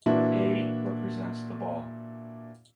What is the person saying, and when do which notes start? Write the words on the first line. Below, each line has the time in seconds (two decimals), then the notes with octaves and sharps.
A represents the ball.
0.06 A#2 E3 D4 E4 F#4